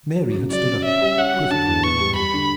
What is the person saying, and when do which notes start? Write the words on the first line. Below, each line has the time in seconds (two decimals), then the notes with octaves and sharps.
Mary had stood up, quivering in every limb.
0.19 F#3
0.35 C#3
0.51 F#3 D5
0.68 C#3
0.84 C#4 E5
1.02 G3
1.18 C#4 F#5
1.34 F#3
1.50 D3 A5
1.68 E2
1.83 B3 C#6
2.00 G3
2.17 G3 B5
2.34 D3